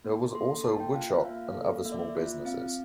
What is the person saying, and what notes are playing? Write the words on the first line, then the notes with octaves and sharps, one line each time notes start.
There was also a wood shop and other small businesses.
A#3
A4 C6
A#3 A5
G5
F4 F5
E5
A#3 F5
A4
A#3 E5
D5
E5
F4
C4 F5